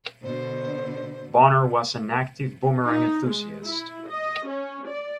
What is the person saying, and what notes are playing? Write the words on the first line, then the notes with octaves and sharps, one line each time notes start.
Bonner was an active boomerang enthusiast.
B2 D3 C5
D#4
G#3
E4
D#5
C#4
D5